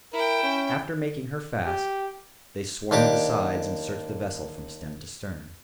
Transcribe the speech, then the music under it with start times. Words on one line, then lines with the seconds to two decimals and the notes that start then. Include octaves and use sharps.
After making her fast, they swarmed the sides and searched the vessel from stem to stern.
0.13 E4 A#4 G5
0.43 C#4
1.66 G4
2.91 D#2 D4 G4 D6